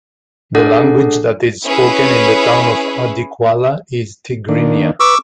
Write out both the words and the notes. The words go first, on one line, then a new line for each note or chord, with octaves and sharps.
The language that is spoken in the town of Adi Quala is Tigrinya.
D4 G#4 A4 F#5
C#4 E4 G#4 B4
D#3 A#3 D4
B4 C#6 D6 E6